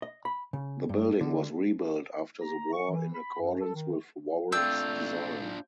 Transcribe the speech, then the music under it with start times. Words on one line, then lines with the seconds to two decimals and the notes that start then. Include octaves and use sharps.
The building was rebuilt after the war in accordance with Warren's design.
0.02 D#5
0.25 B5
0.53 C#3
0.89 G2
1.21 D3
2.40 A#5
2.72 C#6
2.90 E3
3.14 B5
3.41 F#2
3.61 A4
3.74 D#3
4.52 A3 C4 D4 F4 D5 E6 G6